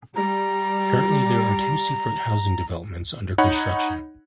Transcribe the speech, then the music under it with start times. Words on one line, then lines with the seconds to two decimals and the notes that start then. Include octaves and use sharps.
Currently, there are two seafront housing developments under construction.
0.16 G3 A#5
3.38 D#4 C#5 F#5 B5